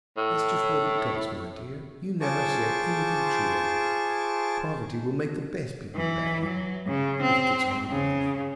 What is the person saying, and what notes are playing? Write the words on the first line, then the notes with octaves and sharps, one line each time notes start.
'That's just what it does, my dear; you never said anything truer. Poverty will make the best people bad, if it gets hard enough.
A2
F4 G#4 C5 A5 C#6 D6
E3
F#3
C#3
C4
C#3